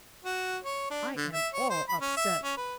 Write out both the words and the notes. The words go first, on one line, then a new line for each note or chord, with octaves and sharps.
I am all upset!
F#4
C#5
D4
D3
E5
C#5
C5
B5
C#4
E5
C#4
B4